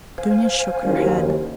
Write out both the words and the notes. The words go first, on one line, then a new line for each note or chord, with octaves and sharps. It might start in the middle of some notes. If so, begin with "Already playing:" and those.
Dounia shook her head.
C5 F5 G#5
F#1 D#2